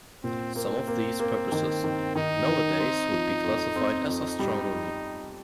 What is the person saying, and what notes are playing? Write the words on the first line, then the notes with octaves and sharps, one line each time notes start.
Some of these purposes nowadays would be classified as astronomy.
A#2 C4
A#3 C4
A#3
A#3
D#3
D#3
D#3 D#4
D#3
C4
F3
F2
C4
F2 D#4
G3